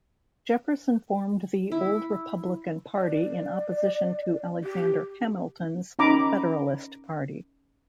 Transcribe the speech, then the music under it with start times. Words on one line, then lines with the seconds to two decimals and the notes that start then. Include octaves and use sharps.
Jefferson formed the Old Republican party in opposition to Alexander Hamilton's Federalist party.
1.72 E4
2.96 D5
4.64 G4
5.99 C#4 D#4 A#5 B5 D6